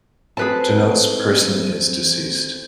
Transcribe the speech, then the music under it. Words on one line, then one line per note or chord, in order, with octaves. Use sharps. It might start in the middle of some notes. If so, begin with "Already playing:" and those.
Denotes person is deceased.
C4 G#4 A4 B4 A5